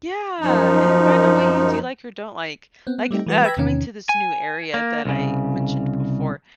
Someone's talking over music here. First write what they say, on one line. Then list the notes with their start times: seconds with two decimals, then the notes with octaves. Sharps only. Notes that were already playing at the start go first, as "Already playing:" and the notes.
Yeah, and find out what you do like or don't like. Like, uh, coming to this new area that I mentioned before,
0.41 F#2 F3 D#4
2.87 B3 C4
2.98 B3
3.11 G3 A3 C4 D#4 G4
3.26 E3 G3 G#3 F#4 B4
3.44 B4 G5 E6 G#6 A#6 B6
3.57 E2 C3 D#3 C#4
4.09 G#5
4.74 A#3
5.05 C2 C#3